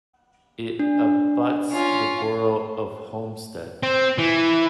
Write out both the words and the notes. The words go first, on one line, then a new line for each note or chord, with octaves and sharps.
It abuts the borough of Homestead.
D4
C#4 F4
C4
E3